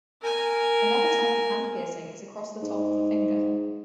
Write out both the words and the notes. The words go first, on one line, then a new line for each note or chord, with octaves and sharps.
Another type of hand piercing is across the top of the finger.
A#4 G#5
G#2